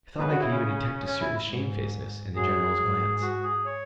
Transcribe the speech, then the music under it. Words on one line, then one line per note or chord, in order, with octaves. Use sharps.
I thought I could even detect a certain shamefacedness in the General's glance.
C#3 B4
F#4
E4
C#4
C#4
E4
G#2
F#2 G#4
G#2
F#4
G#4
C#5